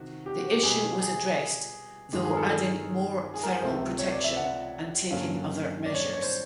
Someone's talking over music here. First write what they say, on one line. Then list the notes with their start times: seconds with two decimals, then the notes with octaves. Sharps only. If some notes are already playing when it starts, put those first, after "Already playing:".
The issue was addressed though adding more thermal protection and taking other measures.
Already playing: C3 D#3 F#4
0.26 G4
0.38 F#4
0.51 G4
0.63 B2 G3 B3 G#4
1.01 G#4
2.13 G2 D#3 G#3 G4
2.25 G#4
2.33 A#4
2.37 A4
2.50 A4
3.34 G#4
3.43 A#4
3.52 C5
3.62 C#2 C3 F3 A3 C4
3.99 C#5
4.11 D5
4.24 E5
4.36 F#5
5.10 G2 D3 F#3 A#3 C#4 F5
5.86 D5
5.95 C#5
6.13 C#5
6.23 C5